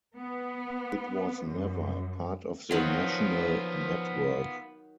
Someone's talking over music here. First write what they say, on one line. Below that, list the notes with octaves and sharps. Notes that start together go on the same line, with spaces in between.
It was never part of the national network.
B3
F#2
D#3 F3 F#3 B3 F4